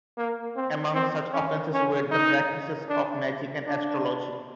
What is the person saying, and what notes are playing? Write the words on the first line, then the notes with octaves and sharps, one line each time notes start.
Among such offenses were the practices of magic and astrology.
A#3
C4
C4
C#4
C#4
D#4
D4
D4